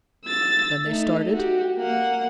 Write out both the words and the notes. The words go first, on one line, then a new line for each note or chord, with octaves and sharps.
"Then they started?"
E6 A6
A3 D#4
F#4 G4
A#3 F#5